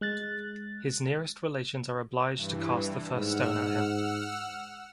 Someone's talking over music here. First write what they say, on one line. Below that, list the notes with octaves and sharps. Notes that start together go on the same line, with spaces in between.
His nearest relations are obliged to cast the first stone at him.
G#3 F#6 A6
G2 E3
G#2 F#5 E6 F6